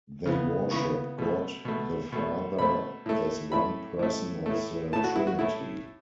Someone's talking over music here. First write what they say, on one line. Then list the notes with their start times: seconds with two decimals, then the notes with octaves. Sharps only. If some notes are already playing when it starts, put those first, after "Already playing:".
They worship God the Father as one person of the Trinity.
0.26 C#3 E3 B3
0.71 C#3 E3 B3 C#6
1.19 B2 A3
1.65 B2 A3
2.12 B2 A3
2.59 B2 A3 B5
3.06 A2 A3
3.52 A2 A3 B5
3.99 A2 A3
4.46 A2 A3
4.93 A2 A5
4.96 A3
5.04 F#4
5.16 E4
5.27 F#4
5.39 A2 A3 E4